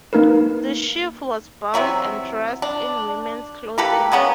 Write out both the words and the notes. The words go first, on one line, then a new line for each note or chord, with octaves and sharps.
The sheaf was bound and dressed in women's clothing.
A#3 D#4 A#4 B4
C3 E3 F#3 E5
D4
A#3 G4 A4 B4
G#3 A#3 B3 C#4